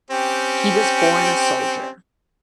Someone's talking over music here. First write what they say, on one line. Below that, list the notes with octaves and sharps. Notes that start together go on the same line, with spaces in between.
He was born a soldier.
C4 C#4 G4